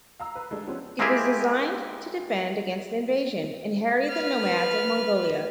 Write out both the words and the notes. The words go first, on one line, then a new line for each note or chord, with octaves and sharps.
It was designed to defend against invasion and harry the nomads of Mongolia.
F5 A#5 E6
B4
G#3 A3 D4 D#4 G4
F3 B3 C#4 G4 B4 C5
G#3 A#3 C4 E4 G4 G#4
B4 F6